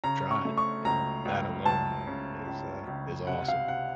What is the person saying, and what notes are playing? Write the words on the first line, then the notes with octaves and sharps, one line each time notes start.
tried, and that alone, man, is, uh, is awesome.
C#3 A#5
C#6
A3
C#6
C#2 A#5
C#2
C#2 A5
C#3
C#2
C#2
C3 F#5
F5
C3 F#5